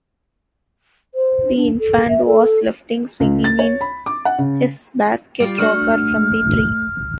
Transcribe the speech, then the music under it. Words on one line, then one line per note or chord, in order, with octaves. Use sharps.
The infant was left swinging in his basket rocker from the tree!
C5
D4
A4
E5
A4
C#2
A6
C#5
B5
D6
F#5
C#3
G3 F4 G4
A3 D4 F#4 F6